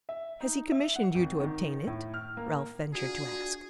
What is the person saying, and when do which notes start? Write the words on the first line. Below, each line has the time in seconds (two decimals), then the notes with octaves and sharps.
"Has he commissioned you to obtain it?" Ralph ventured to ask.
0.09 E5
0.40 D#4
0.72 E5
0.96 F#5
1.15 G#1
1.40 D#3
1.87 A2
2.14 F6
2.37 A#3
2.94 D4 F4 F#4 G#4